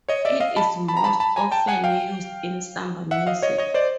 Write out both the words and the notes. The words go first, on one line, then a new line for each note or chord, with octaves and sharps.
It is most often used in samba music.
C#5 D#5
D5 E5
D#5 F5
A5 B5
A5 B5
A#5
A5 B5
A5 B5
G#5 A#5
G5 A5
F#5 G#5
F5 G5
E5 F#5
D#5 F5
C#5 D#5
C#5 D#5
C5 D5